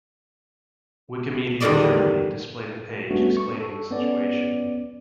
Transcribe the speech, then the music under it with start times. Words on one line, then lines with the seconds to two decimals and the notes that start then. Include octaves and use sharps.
Wikimedia Germany displayed a page explaining the situation.
1.60 E2 D3 D#3 G3 D5 D#5
3.11 G3 A3 B3 C#4 D4 F#4
3.37 C#6
3.60 A4
3.91 B3 C#4 D5